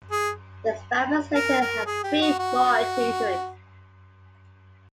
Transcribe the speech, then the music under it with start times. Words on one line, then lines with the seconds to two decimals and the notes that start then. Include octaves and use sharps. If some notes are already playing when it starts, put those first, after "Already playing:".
The Spaffords later had three more children.
0.12 G#4
1.35 A#4
1.61 A#4
1.86 G#4
2.04 G4
2.21 F#4
2.39 F#4